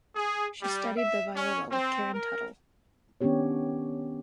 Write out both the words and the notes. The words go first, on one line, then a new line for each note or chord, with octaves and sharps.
She studied the viola with Karen Tuttle.
G#4
G3
E5
C#4
C4
A#4
D#3 B3 C#4 D4 G4 C#5